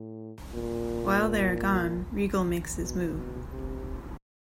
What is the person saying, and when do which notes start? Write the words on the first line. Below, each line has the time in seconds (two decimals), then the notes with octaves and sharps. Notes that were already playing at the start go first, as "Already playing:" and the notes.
While they are gone, Regal makes his move.
Already playing: A2
0.54 A#2
2.76 B2
3.14 B2
3.50 C3